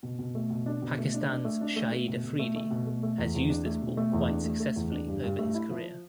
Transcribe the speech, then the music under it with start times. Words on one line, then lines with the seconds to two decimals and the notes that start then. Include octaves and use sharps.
Pakistan's Shahid Afridi has used this ball quite successfully over his career.
0.03 B2
0.19 B2
0.35 A3
0.50 B2
0.66 D4
0.82 B2
0.98 A3
1.14 D4
1.29 D4
1.45 A3
1.61 D4
1.76 A3
1.92 A3
2.08 B2
2.24 B2
2.39 A3
2.56 A3
2.71 B2
2.87 A3
3.03 A3
3.18 E2
3.35 E2
3.50 D4
3.65 A3
3.82 B2
3.97 A3
4.13 E2
4.29 D4
4.44 A3
4.60 A3
4.76 E2
4.92 D4
5.08 G2
5.24 G2
5.39 A3
5.55 E4
5.70 F3